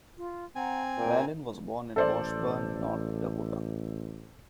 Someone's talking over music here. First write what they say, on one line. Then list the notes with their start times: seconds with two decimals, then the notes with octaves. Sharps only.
Wallin was born in Washburn, North Dakota.
0.17 F4
0.56 C4 F#5 G#5 A#5
0.97 A#2 C#5 G5 A#5
1.96 A1 A4 C5 D5